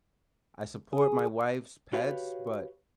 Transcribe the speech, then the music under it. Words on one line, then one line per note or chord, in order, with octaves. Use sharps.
I support my wife's pets, but
G#4
F#4 G4 B4 C#5 F5